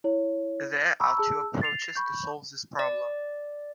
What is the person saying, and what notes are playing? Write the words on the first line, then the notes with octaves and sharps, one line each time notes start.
There are two approaches to solve this problem.
E4 C#5
A#5 B5 C#6 E6
G#4 A5 E6
A6 C7 F7
B5 C#6 G6
D5